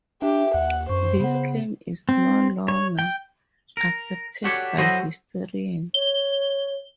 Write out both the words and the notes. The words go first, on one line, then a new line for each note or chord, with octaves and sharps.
This claim is no longer accepted by historians.
D4 G4 E5
D#2 F#5
F#2 C5 C#6
C#3 B3 F#5
C4
C#5
G5
A#4
F#4 G4 A4 C#5 D5 F#5
F#3 E4 F#4 A4 C5 D#5
C#5 G7